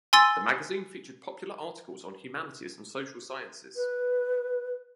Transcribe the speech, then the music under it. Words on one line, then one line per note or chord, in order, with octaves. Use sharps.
The magazine featured popular articles on humanities and social sciences.
G#5 C6 E6 A6
B4